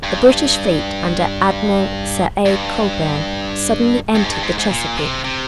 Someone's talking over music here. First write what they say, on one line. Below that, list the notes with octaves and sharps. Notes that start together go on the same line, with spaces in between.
The British fleet under Admiral Sir A. Cockburn suddenly entered the Chesapeake.
G2
G#2
G2
G2
G#2
G2
G#2
G#2
A#2
C3
C3